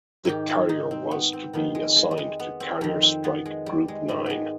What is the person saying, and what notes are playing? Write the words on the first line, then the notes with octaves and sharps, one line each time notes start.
The carrier was to be assigned to Carrier Strike Group Nine.
G#2 D#3 G4
F4
D#4
C4
B3
C4
F2 D#3 B3
G#3
G#3
G3
G#3
B3
C4
F2 D#3 C4
C4
B3
G#3
G3
G#3
G#2 D#3 G3
G#3 B3